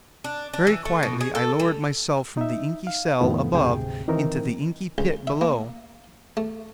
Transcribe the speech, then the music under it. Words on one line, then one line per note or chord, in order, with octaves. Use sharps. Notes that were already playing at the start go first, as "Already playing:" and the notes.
Very quietly I lowered myself from the inky cell above into the inky pit below.
D4
D4
E3
A3
B2
G#4
A4
G3
D#4 E5
F5
F2 A2 D#3 F3 B3
D2 G#2 C3 G#4 G5
D#3 E3 C4 D#4 A#4
C#2
E5
A#3
A3